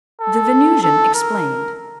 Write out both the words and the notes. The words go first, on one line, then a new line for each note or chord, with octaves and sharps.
The Venusian explained.
A4
A4
A#4